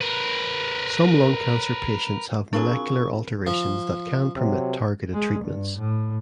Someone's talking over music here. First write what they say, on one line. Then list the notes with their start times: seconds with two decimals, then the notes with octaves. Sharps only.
Some lung cancer patients have molecular alterations that can permit targeted treatments.
0.01 A#4 B4
2.53 F#3 C4 D4 F4 G#4 A#4 B5 C#6
3.47 F3
4.36 C3 F#3
5.13 G#3
5.44 G2
5.77 A2